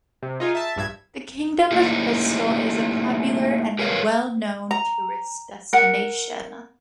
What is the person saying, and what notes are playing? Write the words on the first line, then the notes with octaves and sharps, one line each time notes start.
The Kingdom of Crystal is a popular and a well known tourist destination.
C3
D#4 F4 G#4
E5 A5
A#1 G2 E5 G#6
A3 A#3 D#4 E4 G4
G4 A#4 B4 C#5 F5
A#5
A#4 F#5